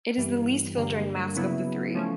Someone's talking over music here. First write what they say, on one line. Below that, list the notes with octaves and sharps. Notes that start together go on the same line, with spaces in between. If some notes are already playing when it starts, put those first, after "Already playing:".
It is the least filtering mask of the three.
G2 E3 G3
G2 D3 G3 A#3
C#3 F#3 B3 E4
F3 A3 C#4